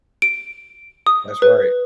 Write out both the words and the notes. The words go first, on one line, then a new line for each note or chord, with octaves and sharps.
That's right.
D7
D#6
B4